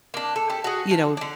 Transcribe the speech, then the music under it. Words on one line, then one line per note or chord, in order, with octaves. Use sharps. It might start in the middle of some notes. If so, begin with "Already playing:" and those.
you know,
A#3 D4
A4
G4 A4
F#4 G#4
F3
D3 D5